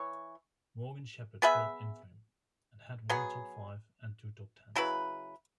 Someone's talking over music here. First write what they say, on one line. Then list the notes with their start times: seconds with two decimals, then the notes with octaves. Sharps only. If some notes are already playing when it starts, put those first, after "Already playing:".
Morgan Shepherd filled in for him, and had one top-five and two top-tens.
Already playing: E3 C#5
1.42 B3 G#4 B4 E5
3.10 F#3 B3 G#4
4.76 C#3 F#3 E4 B4